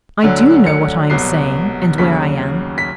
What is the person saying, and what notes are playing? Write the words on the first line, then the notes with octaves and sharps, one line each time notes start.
I do know what I am saying and where I am.
D2 D3 F#3
C#7
C2 B2 F#3 C7
D#2 C#3 F#3 B6
B6